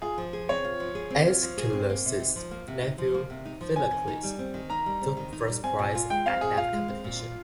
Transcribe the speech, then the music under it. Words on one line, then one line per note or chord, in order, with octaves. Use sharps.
Aeschylus's nephew Philocles took first prize at that competition.
F4 G#4
F3
G#4
C4 C#5
F4
F3
G#4
C4
F4
F3
G#4
C4
A#3
C3
D#4
F3
A#3
C3
D#4
F3
A#3
C3
D#4
F3
C4 G#5
D#3
D#4
G3
C4
D#3
D#4 A#5
G3
C4
D#3
D#4
G3
C4 G#5
A#2
F4
G#3 G5
C4 F5
A#2 G#4
F4 F5
G#3
C4
A#2
F4